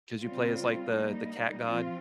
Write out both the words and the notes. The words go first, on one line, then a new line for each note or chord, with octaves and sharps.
'cause you play as, like, the the cat god.
C#3 G3 C4 F4
G3 A#3 D#4
F3 C4 F4